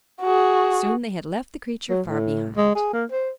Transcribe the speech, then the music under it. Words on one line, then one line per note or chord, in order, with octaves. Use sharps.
Soon they had left the creature far behind.
F#4 G#4
F#3
A2
G#3
G#4
A#3
C5